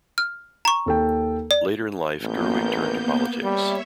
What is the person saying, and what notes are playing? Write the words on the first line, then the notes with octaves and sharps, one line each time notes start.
Later in life, Gerwig turned to politics.
F6
A#5 C#6
D#2 A4 G5
D5
A1 A#3 B3 G6
G3 C#5 E5